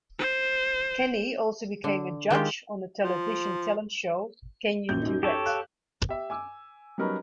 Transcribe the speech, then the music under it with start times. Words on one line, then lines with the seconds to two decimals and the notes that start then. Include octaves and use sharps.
Kenny also became a judge on the television talent show "Can You Duet".
0.19 C5
1.84 D3
2.30 D#3 G#3 F4 G4
3.03 F3
4.89 A#1 F#2 G6
5.02 F#2 D#4
5.23 G4 A4 C#5
5.46 F5 F#6
6.09 G4 E5
6.30 G#5 D6 E6
6.98 F#3 G3 C#4 D#4 A#4 B4